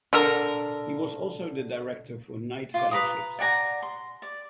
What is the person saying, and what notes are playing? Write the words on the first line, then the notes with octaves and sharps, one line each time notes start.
He was also the director for Knight Fellowships.
D3 A4 A#4
F4 D6
B4 A#5 D#6
D5 F#5 G#5 A#5
C6
D5